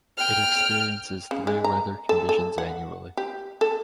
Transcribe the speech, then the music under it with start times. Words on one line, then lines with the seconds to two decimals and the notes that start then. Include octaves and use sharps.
It experiences three weather conditions annually.
0.18 G5 F6
1.31 C#3
1.47 G#3
1.64 A#5
2.09 A4
2.29 A4
2.58 F#5
3.17 G4
3.61 A4